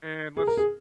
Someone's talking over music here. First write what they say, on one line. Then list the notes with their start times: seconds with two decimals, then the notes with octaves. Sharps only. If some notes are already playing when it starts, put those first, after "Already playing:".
And let's
0.37 G#4
0.47 A#4
0.57 G#4